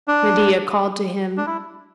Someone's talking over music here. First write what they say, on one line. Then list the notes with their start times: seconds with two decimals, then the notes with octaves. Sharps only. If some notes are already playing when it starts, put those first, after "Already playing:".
Medea called to him.
0.08 D4
1.37 D4
1.47 E4